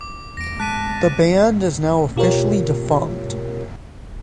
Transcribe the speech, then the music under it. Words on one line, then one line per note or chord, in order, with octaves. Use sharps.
The band is now officially defunct.
D6
E2 A#6 D7
G#3 A5 F#6 B6 D#7
B2 F4 G4 A#4 C#5